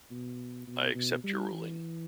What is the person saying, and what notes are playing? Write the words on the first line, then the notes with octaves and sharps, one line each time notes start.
I accept your ruling.
B2
B2
B2
G3
E3